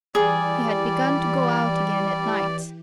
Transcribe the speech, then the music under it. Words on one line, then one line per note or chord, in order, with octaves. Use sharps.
He had begun to go out again at nights.
E3 G3 G4 G#4 D5